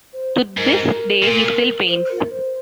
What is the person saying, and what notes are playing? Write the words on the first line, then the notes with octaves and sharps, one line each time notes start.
To this day he still paints.
C5
G#2 A#4
A#2
C5
A#4
C5